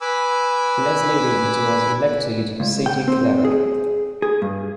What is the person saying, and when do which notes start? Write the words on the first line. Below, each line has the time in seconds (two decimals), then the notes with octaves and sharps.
Leslie Reed was elected City Clerk.
0.01 B4 G#5 B5 D6 E6
2.60 C#2
2.86 G5
3.08 C4
3.45 G#4
4.22 G#4
4.42 G2